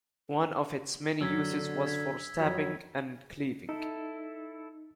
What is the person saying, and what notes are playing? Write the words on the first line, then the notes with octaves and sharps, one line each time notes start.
One of its many uses was for stabbing and cleaving.
F#2 D3 E6 G#6 B6
G#6 B6
F2 F#3 B6
D#4 E4 A4